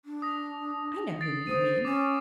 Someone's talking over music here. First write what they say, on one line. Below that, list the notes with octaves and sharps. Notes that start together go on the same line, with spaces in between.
I know whom you mean.
D4
D#6 A#6
A6 C7 D7
C5 D#6 D#7
C#4 D6 A6